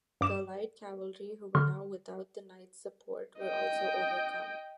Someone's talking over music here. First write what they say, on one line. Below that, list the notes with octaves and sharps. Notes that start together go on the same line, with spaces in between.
The light cavalry, who were now without the knights' support, were also overcome.
G2 D6 E7
D3 C6 F6
D#5 G5